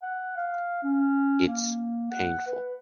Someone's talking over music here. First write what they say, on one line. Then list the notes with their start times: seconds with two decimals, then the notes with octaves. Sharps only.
It’s painful.
0.03 F#5
0.37 F5
0.83 C#4
1.47 A#3
2.11 F#5
2.47 B4